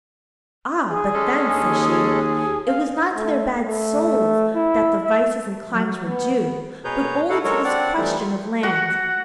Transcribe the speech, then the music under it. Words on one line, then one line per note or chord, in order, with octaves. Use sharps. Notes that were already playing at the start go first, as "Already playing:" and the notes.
'Ah, but then,' says she, 'it was not to their bad souls that the vices and climes were due, but only to this question of land.
G#4
G#3 C#4 A4
D#2
F5
A3
A3
E4
E5
F#3
B3
B2 G#4 B4 C#5 A#5 G6
D#4 E4 F#4 A4 F5 F#5
F#3 G#3 F#4 A4 A#4 C#5
C4 D4 D5 F#5
E3 F3 G3 A3 D#4
F4
F#4 F#5